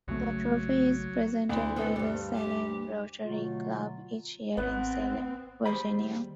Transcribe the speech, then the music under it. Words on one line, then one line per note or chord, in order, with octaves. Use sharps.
The trophy is presented by the Salem Rotary Club each year in Salem, Virginia.
A#1 C#3 F#3 A3
D2 E4
B3 C4 A4
G2 G3
G4
B2 D3 F#3 A3 F4
G#1 B3 C4 B4 F#5
D#2 G3 G#4 C5 B5